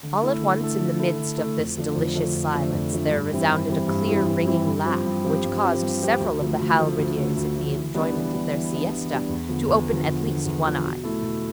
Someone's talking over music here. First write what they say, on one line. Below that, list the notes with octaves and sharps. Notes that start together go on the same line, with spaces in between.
All at once, in the midst of this delicious silence, there resounded a clear ringing laugh, which caused several of the halberdiers in the enjoyment of their siesta to open at least one eye.
D3
A3 E4 A4
D3
A3 E4 A4
D3
A3 E4 A4
D3
A3 E4 A4
F2
D3 F3 A3 D4
F2
D3 F3 A3 D4
F2
D3 F3 A3 D4
F2
D3 F3 A3 D4
G2
E3 G3 C4 E4
G2
E3 G3 C4 E4
G2
E3 G3 C4 E4
G2
E3 G3 C4 E4
G2
F3 C4 G4
G2
F3 C4 G4
G2
F3 C4 G4
G2
F3 C4 G4
D2
D3 F3 A3
D2
D3 F3 A3
D2
D3 F3 A3
D2
D3 F3 A3
E3
G3 B3 D4
E3
G3 B3 D4
E3
G3 B3 D4
E3
G3 B3 D4
E2
D3 F3 B3
E2
D3 F3 B3
E2
D3 F3 B3
E2
D3 F3 B3
B2
A3 E4 A4
B2